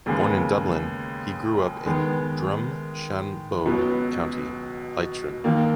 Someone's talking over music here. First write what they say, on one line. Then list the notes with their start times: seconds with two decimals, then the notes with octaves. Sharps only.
Born in Dublin, he grew up in Drumshanbo, County Leitrim.
0.06 D#2 C#3 G#3 B3
1.86 D#3 G#3 B3
3.65 C#2 B2 F#3 B3
5.44 D#2 D#3 A#3